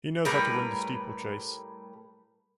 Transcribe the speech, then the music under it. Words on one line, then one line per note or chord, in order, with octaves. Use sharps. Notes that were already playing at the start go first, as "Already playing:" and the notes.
He knows how to win the steeplechase.
A2 G3 A#4 B4